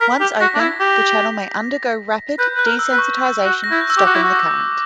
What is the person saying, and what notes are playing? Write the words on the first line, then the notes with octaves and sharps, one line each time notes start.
Once open, the channel may undergo rapid desensitization, stopping the current.
A#4 B6
G4
F#4 A#6
D4
E4
G4
B4 G6
B4 F#6
A#4
E6
B4
C#6
F#4
A#6
E4 G6
F#6
E6
G4 D6
F#4
E4
F#4
D6